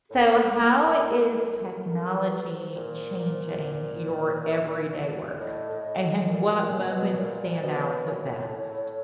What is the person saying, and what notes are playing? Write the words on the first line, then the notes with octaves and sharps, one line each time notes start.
So how is technology changing your everyday work? And what moments stand out the best?
A2 A4
A2 A#4
A#4
B4
C5
A#2
A#2
D5
A2 D#5
A2
A2
A#2 D#5
D5
A#2
C#5
B2
A#2 D5
C5
B2
C#5
A#2
A2
A2
A2